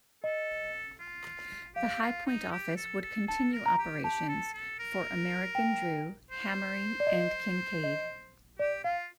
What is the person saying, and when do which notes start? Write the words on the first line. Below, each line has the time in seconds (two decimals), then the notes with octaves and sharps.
The High Point office would continue operations for American Drew, Hammary, and Kincaid.
0.24 A4 D#5
1.00 F4
1.75 G4 F5
2.02 F4
2.27 D#4
2.52 G4
2.77 A4
3.02 A4
3.27 A4 A5
3.53 A#4
3.66 A#5
3.79 G4
4.04 G4 A5
4.29 A4
4.54 A4
4.79 A#4
5.55 G5
6.31 C5
7.00 D5
7.07 D#5
7.84 D#5
8.59 G4 D5
8.84 F4 F5